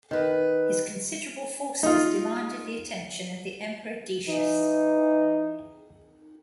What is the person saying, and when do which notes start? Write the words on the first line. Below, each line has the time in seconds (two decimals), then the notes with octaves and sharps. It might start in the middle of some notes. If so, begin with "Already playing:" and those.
His considerable forces demanded the attention of the emperor Decius.
0.11 D#3 B4
1.83 D#4 F4
4.28 E3 D#4